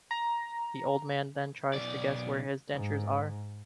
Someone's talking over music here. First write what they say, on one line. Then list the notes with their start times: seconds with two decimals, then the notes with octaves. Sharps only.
The old man then tries to guess where his dentures are.
0.11 A#5
1.73 B1 D5
2.73 G#2